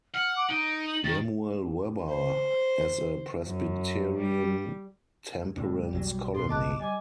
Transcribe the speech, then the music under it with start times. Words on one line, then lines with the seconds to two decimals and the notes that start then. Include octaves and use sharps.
Lemuel Webber as a Presbyterian temperance colony.
0.14 F#5 F6
0.36 D6
0.49 D#4 D7
0.87 F#7
1.04 D#3 A6
2.08 C5
3.45 F#2
4.18 G3
5.56 A2 C#3 G3
5.93 B1 F#3 G3
6.34 C2 G2 B2 A4 C6
6.49 A1 D#5 A5 D6 F#6
6.80 G3 D#5 G#5 D6